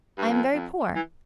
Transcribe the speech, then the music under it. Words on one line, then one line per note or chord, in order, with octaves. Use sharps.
I am very poor.
G2
F2
F2
E3